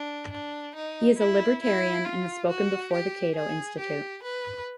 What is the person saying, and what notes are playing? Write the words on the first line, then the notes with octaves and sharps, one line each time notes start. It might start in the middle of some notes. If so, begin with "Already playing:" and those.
He is a libertarian and has spoken before the Cato Institute.
Already playing: D4
D4
D#4
E4
E4
F4
F#4
G4
G#4
G4
B4